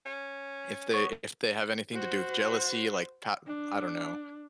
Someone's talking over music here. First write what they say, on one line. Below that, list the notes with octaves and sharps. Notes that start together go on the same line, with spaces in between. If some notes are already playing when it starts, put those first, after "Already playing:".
if they if they have anything to do with jealousy, like, pa I don't know,
C#4
B3 C#5
F#4 C5
D4